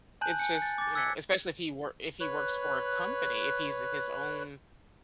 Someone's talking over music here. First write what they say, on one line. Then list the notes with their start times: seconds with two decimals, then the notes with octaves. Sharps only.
It's just, you know, especially if he work if he works for a company, if he's his own
0.21 G#5 A5 F#6 G6 F#7
0.39 G#5 C#7
0.62 A6
0.78 D6 A6
0.95 E6 F#6 G#6 B6 C#7
2.20 B4 C#5 F#6